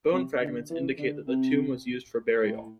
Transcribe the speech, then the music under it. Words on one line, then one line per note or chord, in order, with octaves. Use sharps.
Bone fragments indicate that the tomb was used for burial.
C3
D3
E3
D3
C3
A2